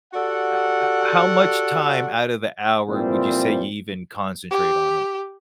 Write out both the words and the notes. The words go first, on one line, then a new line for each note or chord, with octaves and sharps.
ah oh ah How much time out of the hour would you say you even concentrate on it?
F#4 G4 A4 D5 F#5
A#2 E3 F3 G3 C4
G4